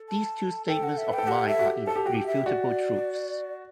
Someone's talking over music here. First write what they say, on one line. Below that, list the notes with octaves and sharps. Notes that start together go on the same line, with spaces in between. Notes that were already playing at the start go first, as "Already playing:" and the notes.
These two statements of mine are irrefutable truths.
Already playing: A4
A5
A4 G5
F#5
E5
B4
G5
A4
G4 F#5
A4 E5
F#4
G4
A4 A5
G4
F#4 G5
G4
E5
F#4 D5